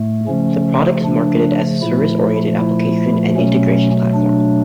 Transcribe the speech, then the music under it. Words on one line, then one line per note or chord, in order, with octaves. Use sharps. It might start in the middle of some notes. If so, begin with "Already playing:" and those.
The product is marketed as a service-oriented application and integration platform.
Already playing: A2 A3
C#3 F3 A3 C#4
D4
A#2 F3 A3 E4
E4
B2 F#3 A3 C#4
D4